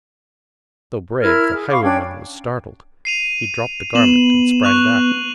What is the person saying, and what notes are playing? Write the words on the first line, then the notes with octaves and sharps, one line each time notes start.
Though brave, the highwayman was startled: he dropped the garment, and sprang back.
E4 A#4 F6 G#6
G#4
F5 B5 C#6 D6
C#4 D4 G5 G#6
C7 D#7 F7
B3 E7 F#7
C#6 F#6 F7